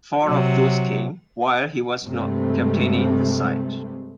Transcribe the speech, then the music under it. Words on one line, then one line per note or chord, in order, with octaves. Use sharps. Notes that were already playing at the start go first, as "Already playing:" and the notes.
Four of those came while he was not captaining the side.
C3 F#3
G2 C3 G#3 A3